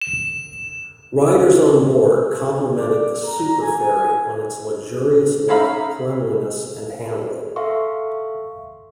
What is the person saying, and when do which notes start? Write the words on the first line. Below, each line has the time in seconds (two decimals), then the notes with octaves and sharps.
Riders onboard complimented the "superferry" on its luxurious look, cleanliness, and handling.
0.02 E7
2.72 D5
3.24 A#5
3.62 G#5
5.48 C#4 D#4 E5 F5 A#5 B5
7.56 A4 E5 F5 C6 C#6